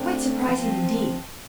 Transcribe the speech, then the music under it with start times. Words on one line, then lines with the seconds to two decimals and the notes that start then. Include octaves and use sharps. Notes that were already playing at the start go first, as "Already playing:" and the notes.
Quite surprising indeed!
Already playing: D3 A3 C4 D4
0.48 F3 C4